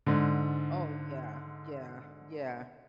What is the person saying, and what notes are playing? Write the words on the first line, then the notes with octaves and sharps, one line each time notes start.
Oh, yeah, yeah, yeah.
G#2 D3